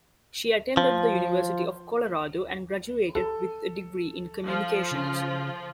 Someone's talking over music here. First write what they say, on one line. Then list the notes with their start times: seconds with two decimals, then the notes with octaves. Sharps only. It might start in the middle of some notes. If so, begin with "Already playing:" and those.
She attended the University of Colorado and graduated with a degree in Communications.
0.77 F3
3.15 A4
4.44 F3 F4
4.92 C#3